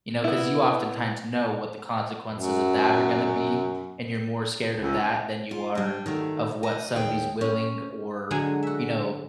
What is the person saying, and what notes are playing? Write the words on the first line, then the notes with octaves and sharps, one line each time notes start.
You know, 'cause you oftentimes know what the consequences of that are gonna be, and you're more scared of that than you are of what somebody's willing or, you know,
B3 E4
F#2
C#2
F4
G3 D4
D#3 F#3 A3
D#5
D#2 G#4 G5
C#4
D3 F#3 G#3 F#4 G#4 G#5
F#4 E5